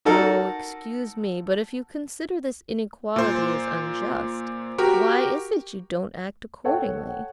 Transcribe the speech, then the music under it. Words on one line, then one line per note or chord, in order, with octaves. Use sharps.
"No, excuse me, but if you consider this inequality is unjust, why is it you don't act accordingly?..."
D#4 F#4 A4 A#4
A#2 C5
F#4 G4 A#4
A4 C#5 F#5 G5